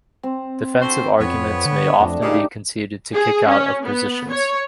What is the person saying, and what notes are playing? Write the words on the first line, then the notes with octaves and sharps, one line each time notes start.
Defensive arguments may often be conceded to "kick out" of positions.
C4
D3 F#4 C5
F2 B3 C#5
D3
F2 A3 D4 D#5
A#2 C#3 D#4 G4
G#4
C#4
B3
C#5